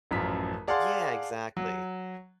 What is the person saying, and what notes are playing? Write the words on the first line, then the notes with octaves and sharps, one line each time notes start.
Yeah. Exactly.
A1 F#2 F3 B6
G#4 D5 F5 F#5 A5 C6
F#3